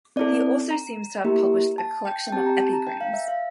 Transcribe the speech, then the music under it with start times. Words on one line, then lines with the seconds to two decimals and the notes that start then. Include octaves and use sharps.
He also seems to have published a collection of epigrams.
0.16 C4 E4 A4 D5
0.71 A#5
1.24 A#3 E4 G4
1.78 A5
2.05 G5
2.27 G5
2.32 C4 G4 A5
2.46 A#5
2.60 A5
2.73 A#5
2.87 G5
3.01 F5
3.13 E5
3.28 F5